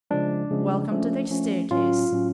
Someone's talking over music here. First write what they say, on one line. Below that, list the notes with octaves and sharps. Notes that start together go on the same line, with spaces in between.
Welcome to the staircase.
C#3 F3 G#3 D4
C#3 F3 G#3
F3 A3 C#4
F3 A3 C#4
A2 F#3 C#4 F4
A2 F#3 C#4